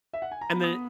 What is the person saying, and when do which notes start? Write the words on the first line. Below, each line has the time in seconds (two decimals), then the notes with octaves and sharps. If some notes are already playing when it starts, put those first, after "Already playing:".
and then
0.13 E5
0.22 F#5
0.31 G#5
0.41 A#5
0.50 B3 B5
0.63 D#6